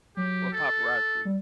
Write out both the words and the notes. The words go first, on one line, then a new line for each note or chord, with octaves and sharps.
Or Paparazzi?
F#3 G4
A4
G3